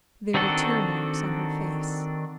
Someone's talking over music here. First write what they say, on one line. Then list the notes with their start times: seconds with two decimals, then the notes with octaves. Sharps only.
There were tear-marks on her face.
0.34 D#3 C4 D4 F#4 A4